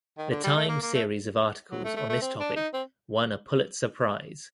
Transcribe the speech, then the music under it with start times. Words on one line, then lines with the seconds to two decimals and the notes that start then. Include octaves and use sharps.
"The Times" series of articles on this topic won a Pulitzer Prize.
0.18 D#3
0.30 D3
0.44 G3
0.57 A3
0.69 A#3
0.82 A#3
0.94 A3
1.71 F#3
1.84 A3
1.96 A3
2.10 A3
2.22 C4
2.40 D4
2.56 D#4
2.74 C4